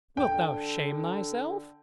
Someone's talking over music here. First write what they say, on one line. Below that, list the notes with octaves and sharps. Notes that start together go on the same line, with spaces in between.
Wilt thou shame thyself?
D3 G5